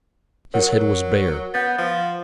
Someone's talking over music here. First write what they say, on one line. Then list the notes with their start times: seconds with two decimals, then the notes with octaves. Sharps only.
His head was bare.
0.54 F#3 A#4 C#5 F#5
1.54 B3 F#5 G6 A6
1.78 F3